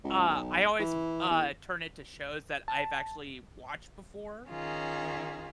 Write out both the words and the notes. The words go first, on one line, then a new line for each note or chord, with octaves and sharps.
uh, I always, uh, turn it to shows that I've actually watched before.
C#2
B1
E3
E2
A5
D#3 C#4 F4 G#4